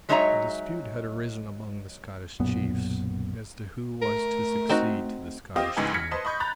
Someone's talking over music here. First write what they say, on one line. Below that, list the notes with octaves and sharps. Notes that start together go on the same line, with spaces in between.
A dispute had arisen among the Scottish chiefs as to who was to succeed to the Scottish throne.
F#3 G#3 D#4 C#5 E5 A#5
B1 F#2 A#2 B3
A3 A#4
C4 D#4 F#4
C4 F4 G4 D#5 F5
C#2 G#2 E3 D#4 B4 G#5
F6 G#6 A#6 B6 C#7
B4 C5 D#5 A5 C6
D#5 B5 C#6 G6
A#5 B5 F#6 G6 A6